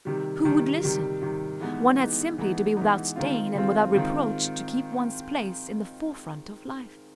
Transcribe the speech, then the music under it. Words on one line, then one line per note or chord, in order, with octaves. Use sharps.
Who would listen? One had simply to be without stain and without reproach to keep one's place in the forefront of life.
C3 D#3 G3
C3 D#3 G3
C3 D#3 G3
C3 D#3 G3
E3 G#3 B3 D#4
E3 G#3 B3 D#4
E3 G#3 B3 D#4
E3 G#3 B3 D#4
D#3 G#3 C4 F4
D#3 G#3 C4 F4
D#3 G#3 C4 F4